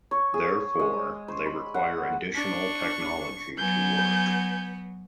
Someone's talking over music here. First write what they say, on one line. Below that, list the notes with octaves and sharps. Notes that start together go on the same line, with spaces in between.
Therefore, they require additional technology to work.
C#5
G#4
G#3
C5
B5
F#5
D4 C#6
F#3 B3 G#5 G6